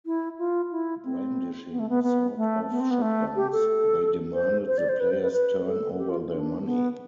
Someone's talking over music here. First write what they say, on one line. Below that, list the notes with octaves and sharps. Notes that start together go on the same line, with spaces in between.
Brandishing sawed-off shotguns, they demanded the players turn over their money.
E4
F4
E4
C4
B3
A3
B3
B3
A3
B3
C4
B3
A3
G4
A4
C5
C5
D5
C5
B4
C5
B4
B4
A4
G4
F4
D4
B3